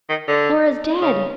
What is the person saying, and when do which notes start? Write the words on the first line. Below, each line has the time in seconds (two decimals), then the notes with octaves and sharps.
"Flora's dead!"
0.09 D#3
0.28 D3
1.01 C#3